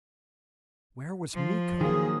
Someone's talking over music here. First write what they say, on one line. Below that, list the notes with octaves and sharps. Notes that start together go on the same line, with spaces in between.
Where was Miko?
F3
D#3 F#3 A#3 G#4